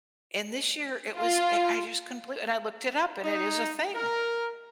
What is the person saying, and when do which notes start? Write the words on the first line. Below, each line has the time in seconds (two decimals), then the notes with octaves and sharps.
and this year it was, uh, I just couldn't believe i and I looked it up and it is a thing.
1.17 F4
3.23 D#4
3.94 A#4